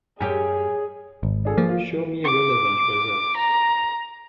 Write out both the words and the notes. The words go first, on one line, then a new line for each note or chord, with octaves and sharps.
Show me relevant results.
F#2 G4 G#4 C#5 G#5
G#1
D4 G#4 A4
F3 A#3
F4
D6
A#5